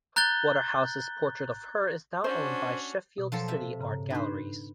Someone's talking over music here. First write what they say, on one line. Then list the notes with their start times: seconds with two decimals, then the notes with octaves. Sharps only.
Waterhouse's portrait of her is now owned by Sheffield City Art Galleries.
0.16 A#5 F#6 G6 A6 G7
2.24 C#4 D4 F#4 C5
3.18 B2
3.32 F3 F#3 A4
3.48 C3 E5
3.80 G#2 C#3 A#5
4.10 D4 D#4 B4 C5